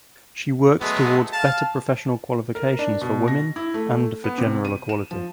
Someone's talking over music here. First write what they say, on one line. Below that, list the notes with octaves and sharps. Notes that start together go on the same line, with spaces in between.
She worked towards better professional qualifications for women and for general equality.
F#3 G#3 A3 B3
F5 A5
A#4
D4
B2
A#6
E4
A3
B3
C3
D#7
E7
F3